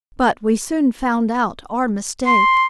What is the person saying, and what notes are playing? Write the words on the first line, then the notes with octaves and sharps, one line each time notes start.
But we soon found out our mistake.
C6